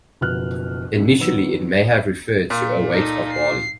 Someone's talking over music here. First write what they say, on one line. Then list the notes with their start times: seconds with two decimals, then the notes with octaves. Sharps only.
Initially, it may have referred to a weight of barley.
0.21 F#1 B2 F3 B4 F6 F#6
0.98 F#2 A#2
1.20 D#3 F#3 B3 E6
2.50 A#2
2.93 D#4 A4
3.32 C7